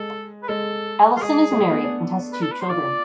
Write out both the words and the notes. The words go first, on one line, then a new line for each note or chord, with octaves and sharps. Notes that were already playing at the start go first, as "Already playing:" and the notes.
Ellison is married and has two children.
Already playing: G#3 A4
B4
G#3 A4
F4
G#3 G#4
G#3
A3
B3
D4
B4
A4
B4
C5
F4 D5